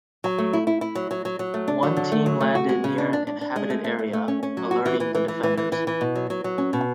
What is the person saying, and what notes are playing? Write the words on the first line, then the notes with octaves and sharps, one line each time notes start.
One team landed near an inhabited area, alerting the defenders.
F#3
A3
E4
E4
E4
F#3
F#3
F#3
F#3
A3
D4
F#3
D3
A3
F#3
A3
F#4
G#3
C#3
D4
D4
D4
D4
G#3
A3
A3
A3
A3
C#4
C#4
F#3
F#4
E3
E3
E3
E3
E3
E3
E3
E3
B2
F#3
F#3
F#3
C#4
B2